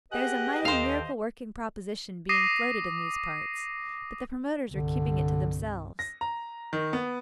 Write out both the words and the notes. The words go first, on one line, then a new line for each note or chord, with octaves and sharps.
There is a mighty miracle-working proposition being floated in these parts, but the promoters are keeping it to themselves.
G4 G#4 B4 D#5 F#5 F#6
D#2 A4 C5 F5 G5
D6 D#6 A#6 C7 D#7
C2 G2 D3
A#6
A#5
D#3
B3